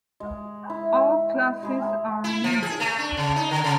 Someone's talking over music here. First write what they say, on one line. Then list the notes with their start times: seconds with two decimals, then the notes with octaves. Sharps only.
All classes are in English.
0.20 G#3
0.70 E4
1.63 G#3 G#4 E5
2.24 E4
2.44 F3
2.63 G#4
2.80 A3
2.99 D4
3.17 C#3
3.36 D#4
3.51 D3
3.64 C#3